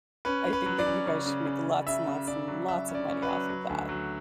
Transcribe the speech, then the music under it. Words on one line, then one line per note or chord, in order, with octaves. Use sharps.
I think that you guys should make lots and lots and lots of money off of that.
C#4 B4
C#4
B4
F#3
D5
C#4
C#3
C#3
C#3
C#3
C#3 E5
C#3
C#3 D5
F#3
F#3 E5
C#4
D5
C#4
B4
F#3
F#3
D2
F#3